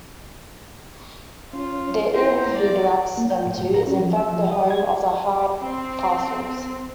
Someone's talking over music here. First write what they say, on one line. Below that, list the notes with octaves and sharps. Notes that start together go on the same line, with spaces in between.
The "inn" he directs them to is in fact the home of the Hardcastles.
C#4 F4
E4 C5 A#5
D5
A#3
G5
A2
A2
A#5
C#4
F3
E5
F3
D#5
G#6
C4